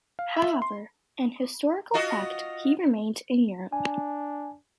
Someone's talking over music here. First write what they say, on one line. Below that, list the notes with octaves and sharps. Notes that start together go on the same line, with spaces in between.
However, in historical fact he remained in Europe.
F5
E5
C6
F4 F#4 D#5
D4 G#5